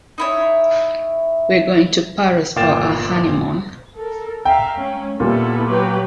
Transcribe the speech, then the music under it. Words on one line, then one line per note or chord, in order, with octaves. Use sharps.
We're going to Paris for our honeymoon.
D#4 E4 C#5
G1 A#2 F5 G5 A6 E7
A4 A#4
E5 F5 G5 A#5
C#4
A#2 G3 B3 E4 A4
F#3 G4 B4